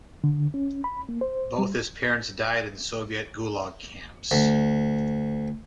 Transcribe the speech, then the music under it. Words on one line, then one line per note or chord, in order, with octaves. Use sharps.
Both his parents died in Soviet Gulag camps.
D3
C#4
B5
A#3
C5
G3
D2